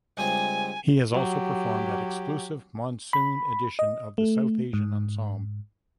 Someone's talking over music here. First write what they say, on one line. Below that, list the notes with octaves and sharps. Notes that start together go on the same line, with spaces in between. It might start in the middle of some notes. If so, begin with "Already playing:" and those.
He has also performed at exclusive monsoon edition of The South Asian Ensemble.
C#2 G2 C4 G#5
F#3 G4
B5
D#5
A3
G#2